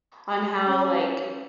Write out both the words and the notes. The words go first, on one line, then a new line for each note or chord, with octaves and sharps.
on how like,
C#4